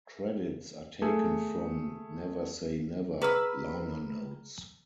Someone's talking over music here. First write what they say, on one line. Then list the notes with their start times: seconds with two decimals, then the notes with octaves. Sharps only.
Credits are taken from "Never Say Never" liner notes.
1.02 A3 G#4
3.22 G#4 B4 A#5 E6 F6